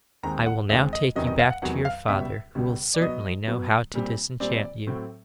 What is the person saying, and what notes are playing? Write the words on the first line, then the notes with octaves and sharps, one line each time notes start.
I will now take you back to your father, who will certainly know how to disenchant you.'
D#2 D#3 G#3 C4 A#5
F#5
D#2 D#3 G#3 C4 E5
D#5
E2 C3 D#3 F#3 D#5
D#5
F5
F#5
E2 C3 D#3 F#3 F#5
F5
C#2 B2 G3 E5
C#2 B2 G3
D5
B2 F#3 B3 D#5
B2 F#3 B3
A#2 G3 C4
A#2 G3 C4 D5
A2 F#3 A3 C4